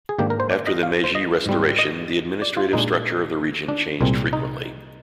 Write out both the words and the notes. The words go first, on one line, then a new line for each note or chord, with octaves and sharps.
After the Meiji Restoration the administrative structure of the region changed frequently.
G#4
G#2 D#3 A#3 D4 G4
A#4
C5
D5
D#5
F5
C5
D#5
G#2 G3 C4
D#5
D5
F4
A#2 G#3 D4 D#4
D4
C2 A#2 G#3 C4
D#4